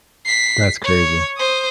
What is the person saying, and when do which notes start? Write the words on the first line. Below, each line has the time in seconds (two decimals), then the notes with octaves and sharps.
That's crazy.
0.25 B6 C7
0.84 C#5
1.37 C5 D#6